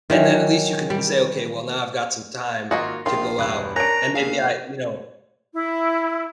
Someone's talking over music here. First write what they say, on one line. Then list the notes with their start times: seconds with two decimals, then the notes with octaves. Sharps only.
And then at least you can say, "Okay, well, now I've got some time to go out, and maybe I, you know"
0.10 D#3 E3 F#3
0.90 G3
2.71 G#1 A#3 F4 F#4 D#5 A#6
3.06 A#1 D#3 F4 F5 C6
3.38 E1 G2 B5 F#6
3.76 C#4 D4 A#4 A#5 F#6 D7
4.15 D2 C#3 A#3 G#4 F5
5.54 E4